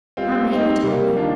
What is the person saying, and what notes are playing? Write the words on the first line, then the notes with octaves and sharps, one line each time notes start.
My mammy tole me.
G3 C4 F4
G3 C4 D#4
C3 G3 A#3
D#3 A#3 D4 F4